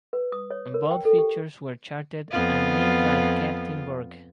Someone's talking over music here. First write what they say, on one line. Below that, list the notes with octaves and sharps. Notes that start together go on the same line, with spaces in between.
Both features were charted and named by Captain Borge.
B4
D#6
C#5
A#4
G5
A4
G4
F2 B3 F4